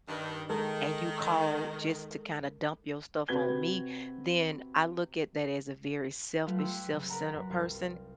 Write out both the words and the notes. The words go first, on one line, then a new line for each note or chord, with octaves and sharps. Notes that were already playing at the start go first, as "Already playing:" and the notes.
and you call just to kinda dump your stuff on me, then I look at that as a very selfish, self-centered person,
G2 D#3
D#3 G#3 A4 A#4
C3 F#4 B4 G#6 G7
F#3 G3 A3 F4 B4 F5
G5 C6 D6 E6 F#6 G#6
C#3
A#4 B4 D5 F#5 A#5 B5
F#2
C2 F5 C6 A6